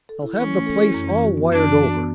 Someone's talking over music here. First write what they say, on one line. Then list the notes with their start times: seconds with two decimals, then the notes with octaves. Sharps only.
I'll have the place all wired over.
0.09 A4
0.22 E4
0.37 E3 C#4
0.51 A3
0.66 A4
0.80 E4
0.94 F#2
1.08 E3
1.23 F#4
1.37 B3
1.52 F#2 D4
1.65 E3
1.80 F#4
1.94 B3